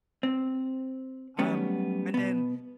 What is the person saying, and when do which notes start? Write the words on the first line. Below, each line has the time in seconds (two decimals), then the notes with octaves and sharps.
Um, and then
0.23 C4
1.39 F#3 G3 A3 B3 C#4
2.14 B2 B3